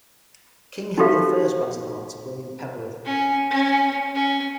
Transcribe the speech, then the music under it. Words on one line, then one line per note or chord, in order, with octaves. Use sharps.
King Henry the First granted the land to William Peveril.
D#4 F#4 G4 A4 E5 F5
C#4
C#4
C#4